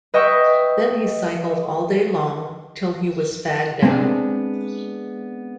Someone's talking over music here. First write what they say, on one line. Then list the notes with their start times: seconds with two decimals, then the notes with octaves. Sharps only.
Then he cycled all day long, till he was fagged out.
0.14 B4 D#5 E5 G5 C#6
3.82 G#3 B3 C4 D4